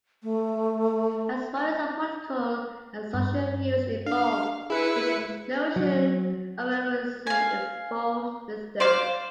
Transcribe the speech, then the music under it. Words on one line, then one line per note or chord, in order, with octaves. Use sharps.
As Warren's political and social views evolved, his notion of Agrarianism evolved with them.
A3
G2
D4 F5
E4 G#4 B4 C#7
F#3
F5 G#5
C5 D5 F5